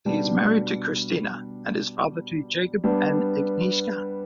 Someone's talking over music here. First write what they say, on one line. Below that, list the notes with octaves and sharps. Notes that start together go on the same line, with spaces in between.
He is married to Krystyna and is father to Jakub and Agnieszka.
B2 G3 D4
G3 B3 D4